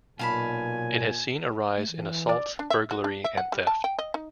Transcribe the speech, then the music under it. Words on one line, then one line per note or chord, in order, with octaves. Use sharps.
It has seen a rise in assaults, burglary, and theft.
B1 A#2 F5 G#5 A5 B5
A3
E3
D5
D4
E5
F#4
D4
E5
F#5
G3
A5
G5
D#5
D#4